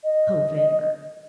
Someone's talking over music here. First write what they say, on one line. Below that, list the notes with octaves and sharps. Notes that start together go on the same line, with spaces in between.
COVID or,
D#5